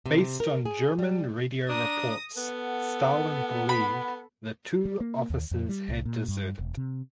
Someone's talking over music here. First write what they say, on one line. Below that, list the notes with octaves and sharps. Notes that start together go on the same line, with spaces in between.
Based on German radio reports Stalin believed the two officers had deserted.
C3
A#4
G#4
G3
D4 A#5 D#6 A#6
B3 A4 F#5
B5
G3
A#3
D#2
F2
G3
C2
A#2
G2
E1
C3